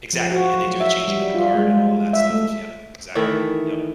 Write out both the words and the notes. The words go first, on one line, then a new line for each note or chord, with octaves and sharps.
exactly, and they do the Changing of the Guard and all of that stuff, yep, exactly. Yep.
F3
F#4
F#3
E5
G3
F4
G#3
E5
A3
D#3 E3 A3 E5